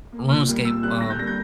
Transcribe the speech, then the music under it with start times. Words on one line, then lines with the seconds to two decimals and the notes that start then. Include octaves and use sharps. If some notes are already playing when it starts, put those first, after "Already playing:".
RuneScape, um
0.12 A#3
0.30 A#2
0.48 G3 A#3
0.65 A#2 E6
0.83 G3 A#3 F#6
1.01 D3 A#6
1.10 G6
1.19 G3 A#3 A#6
1.27 G6